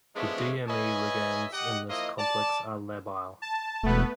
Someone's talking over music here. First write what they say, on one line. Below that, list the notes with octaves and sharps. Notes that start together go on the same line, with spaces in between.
The dme ligands in this complex are labile.
F3 G#3 A3 B3 C#4 D4
B4 C#5 D#5 E5 G#5
G4 D#5 F#5
F3 A#3 E4 D#5
D5 A5
A5
E1 A3 B3 B4